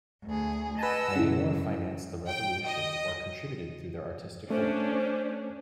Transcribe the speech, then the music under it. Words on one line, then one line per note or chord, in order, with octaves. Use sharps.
Many more financed the revolution or contributed through their artistic work.
D2 G#4
B4 D#5 F#5 G#5 A5 E6
F#2 C#3 E3
G5
D#5
A3 C#4 D4 C5